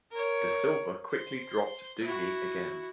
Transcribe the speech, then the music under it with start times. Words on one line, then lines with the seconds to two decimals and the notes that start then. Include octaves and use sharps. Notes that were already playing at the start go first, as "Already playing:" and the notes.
Da Silva quickly dropped Dooney again.
0.11 A#4 C#5
1.11 C5
2.03 E4 F#4